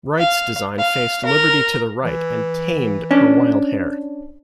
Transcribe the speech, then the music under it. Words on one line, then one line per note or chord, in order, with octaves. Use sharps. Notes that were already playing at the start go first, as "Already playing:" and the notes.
Wright's design faced Liberty to the right and "tamed" her wild hair.
F5
F5
A#4
E3
C#4 D4